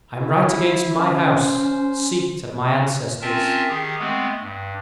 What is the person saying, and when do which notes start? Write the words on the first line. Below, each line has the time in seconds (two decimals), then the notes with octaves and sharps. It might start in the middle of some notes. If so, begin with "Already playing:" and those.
I am right against my house--seat of my ancestors.
0.17 E4
0.94 C#4 C5
3.21 C4 C#4 F4 A#4 E5 A5
3.69 D#3 G4 G#4
3.99 G#3 A3 B3 C4
4.41 G2